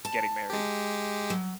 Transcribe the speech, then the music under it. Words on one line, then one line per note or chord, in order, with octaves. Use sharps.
getting married.
A5
G#3 G4
F#3